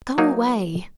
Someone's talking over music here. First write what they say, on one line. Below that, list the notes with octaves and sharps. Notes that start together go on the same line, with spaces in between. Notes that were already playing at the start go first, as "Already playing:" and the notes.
Go away!
F#3 A#3 D#4